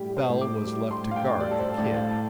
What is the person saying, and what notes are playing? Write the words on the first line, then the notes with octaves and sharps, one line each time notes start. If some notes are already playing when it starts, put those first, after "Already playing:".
Bell was left to guard the "Kid."
Already playing: A2 G3 G4
C5
A2
D6
G3
C6
A2
F5
G5
G3 D5
A4
C5
A2 D5
F5
A5